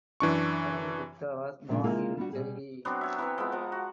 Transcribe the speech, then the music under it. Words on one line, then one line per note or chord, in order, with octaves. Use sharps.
Sen Gupta was born in Delhi.
F#2 E3 D4 C#6
A#2 C#3 F3 G#3 D4
C3 G#3 A#3 E4 F4 G#4
G3 B3 D4 F#4
B2 G3 G#4
F#3 B3 C4 D4
G4 C#5 E5
E3 C4 B4
F3 G#3 B3
F3 F#5 A#5
F#4